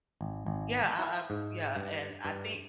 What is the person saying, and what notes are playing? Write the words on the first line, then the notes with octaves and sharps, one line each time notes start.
yeah, I I yeah, and I think
G#1
G#1
E4
G#2
G2
G2